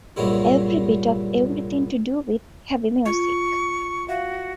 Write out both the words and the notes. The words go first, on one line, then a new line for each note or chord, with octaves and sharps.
Every bit of everything to do with heavy music.
C2 G2 A#2 F#3 G#3 E4
F4 C#6
F#4 E5 F5